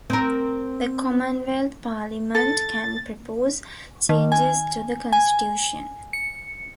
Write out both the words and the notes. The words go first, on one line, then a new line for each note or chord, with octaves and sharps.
The Commonwealth Parliament can propose changes to the Constitution.
C4 A#4
A4 A6
D#3
G#5
G#5
C#7